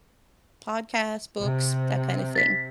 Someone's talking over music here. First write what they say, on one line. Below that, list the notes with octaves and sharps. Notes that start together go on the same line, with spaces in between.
podcast, books, that kinda thing.
C3
A6 B6